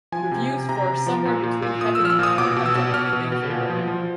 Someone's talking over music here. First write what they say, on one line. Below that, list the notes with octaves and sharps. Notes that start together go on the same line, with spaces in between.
Reviews for "Somewhere Between Heaven and Hell" have generally been favorable.
F3 G#5
C3
C3
C3 A#5
C3
F3
A#2
A#2
A#2
A#2 D#6
E6
F3 F6
E6
A#2 D#6
B2 D6
B2
E6
B2
B2 F6
B2
B2
A#2
F3
F3